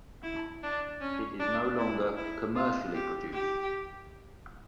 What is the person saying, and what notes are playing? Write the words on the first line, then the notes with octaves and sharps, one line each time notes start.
It is no longer commercially produced.
E4
D4
C#4
D4
E4
E4
F4
G4
G4